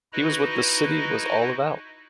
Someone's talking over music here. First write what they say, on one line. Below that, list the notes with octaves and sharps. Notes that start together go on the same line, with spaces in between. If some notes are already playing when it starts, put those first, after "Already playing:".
He was what the city was all about.
D#4 E4 F#4 B4 D#5